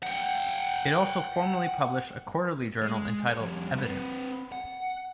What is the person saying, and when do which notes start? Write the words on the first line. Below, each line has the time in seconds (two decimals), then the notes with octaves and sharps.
It also formerly published a quarterly journal entitled "Evidence".
0.03 F#5 G5
2.82 G#3
3.27 A4 C#5
3.41 F2 G3
3.78 C4 B4
4.52 F#5